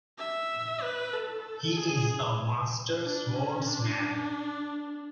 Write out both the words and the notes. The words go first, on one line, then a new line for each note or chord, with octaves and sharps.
He is a master swordsman.
E5
B4
A4
G#4
D4
C#4
D4